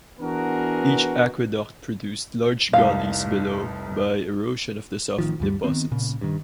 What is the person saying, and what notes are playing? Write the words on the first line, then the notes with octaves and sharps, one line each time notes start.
Each aqueduct produced large gullies below by erosion of the soft deposits.
E3 B3 D4 F#4 G#4 A#4
F1 C2 F5
A1 D#3 F3
D2 G2 G3
D#3 F#3 B3 C4
A#2 C#3
G2 D#3